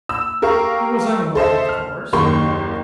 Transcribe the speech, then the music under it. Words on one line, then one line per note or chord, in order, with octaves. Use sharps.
It was unloaded, of course.
E6
G4 A#4 F5 C#6
A4 C5 D#5 E5
F6
F#1 D#2 D#3 G4 C6 C#6